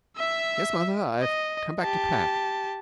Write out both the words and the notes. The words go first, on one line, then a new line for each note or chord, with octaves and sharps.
'Yes, mother; I've come back to pack.
E5 E6
D#5
G4 A5